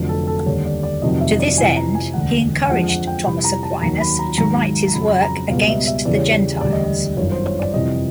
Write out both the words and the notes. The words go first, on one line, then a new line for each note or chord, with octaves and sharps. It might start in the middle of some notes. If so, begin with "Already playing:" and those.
To this end he encouraged Thomas Aquinas to write his work "Against the Gentiles".
Already playing: F1 F2 D3 F#3
A4
A4
D#2 D3 G3 C#5
D5
D5
F1 F2 C3 D#3 F#3 D#5
E5
D#5
D5
F2 C3 E3 G#5
A#5
G#5
E1 D2 D3 F#5
F2 D3 F3 G#3 F#5
F#5
G5
F2 C3 E3 G3 B5
A#5
A5
D#2 D#3 F#3 A#5
B5
A#5
G#1 G#2 D#3 F#3 A#5
A#5
F2 C#3 F#3 B5
B5
A#5
C#2 B2 G3 F5
D#5
E5
E5
E2 C#3 E3 G3 D5
C#5
D5
E1 D2 D3 G3 D5
D#5
D5
G1 F#2 D#3 C#5
C5
C#5
D5
F2 C3 E3 G3 D#5